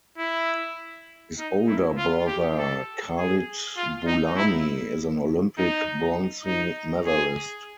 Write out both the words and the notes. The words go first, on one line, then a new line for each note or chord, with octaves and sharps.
His older brother Khalid Boulami is an Olympic bronze medalist.
E4
D#4
E4
F4
G4
A4
G#4
F4
D#4
E4
D#4
D#4
G#4